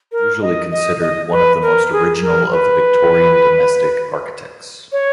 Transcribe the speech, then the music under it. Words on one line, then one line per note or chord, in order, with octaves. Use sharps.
He is usually considered one of the most original of the Victorian domestic architects.
A#4
D#5
D#5
D#5
B4
A#4
G#4
A#4
B4
C#5